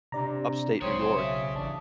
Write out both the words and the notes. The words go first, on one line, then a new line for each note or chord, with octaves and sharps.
Upstate New York,
C3 D4 D5 A#5
B1 C#3 C4 C#5 D#6
E5
A1 D4